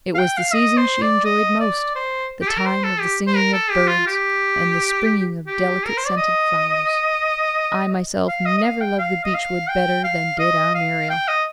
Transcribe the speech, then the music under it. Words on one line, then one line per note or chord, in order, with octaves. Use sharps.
It was the season she enjoyed most--the time of the singing of birds, and the springing of delicate-scented flowers. I myself never loved the beech-wood better than did our Muriel.
F5
G5
F5
D#5
C5
D5
D#5
D5
C5
G4
A4
A#4
C5
A4
G4
C5
A#4
A4
G4
F4
G4
G4
A#4
C5
D5
D#5
F5
D#5
D#5
F5
G5
F5
D#5
F5
G5
F5
D#5
F5
G5
D#5